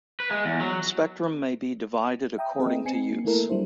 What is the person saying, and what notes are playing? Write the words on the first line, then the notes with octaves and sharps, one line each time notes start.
Spectrum may be divided according to use.
B4
G#3
E2
F#3
E5 G5 A#5 D#6
C4 G#4 B4 D#5
C4 G#5 C7 C#7
A#3
A3 A#3 E4 A4 A#4
F#3 G3 D4 E4 C5